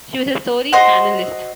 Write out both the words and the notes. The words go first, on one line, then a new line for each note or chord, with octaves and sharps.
She was a story analyst.
F#4 C5 D#5